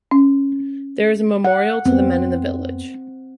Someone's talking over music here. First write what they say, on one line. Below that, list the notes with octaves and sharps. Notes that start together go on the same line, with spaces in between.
There is a memorial to the men in the village.
C#4
F#5
F2 B3 C4